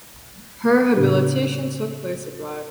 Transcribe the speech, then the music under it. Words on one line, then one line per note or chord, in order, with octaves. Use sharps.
Her habilitation took place abroad.
A2 C#3 D4 G4